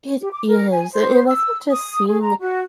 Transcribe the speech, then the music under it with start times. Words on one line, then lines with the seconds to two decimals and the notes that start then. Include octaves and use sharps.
It is, an and I think just seeing,
0.21 G4
0.32 D6
0.48 A#4
0.71 G#5
0.94 C5
1.27 E6
1.71 D#6
2.07 G#4
2.21 A#5
2.41 F#4